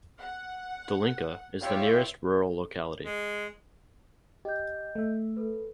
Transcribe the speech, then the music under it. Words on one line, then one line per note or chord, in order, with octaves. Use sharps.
Dolinka is the nearest rural locality.
F#5
E4 F4 G4 C#5 E5 F5
G#3
G4 D#5 G6
A3 E5
A4 B4